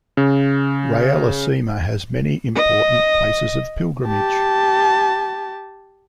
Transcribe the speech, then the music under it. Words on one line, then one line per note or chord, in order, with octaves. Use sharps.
Rayalaseema has many important places of pilgrimage.
C#3
D#5
G4 A5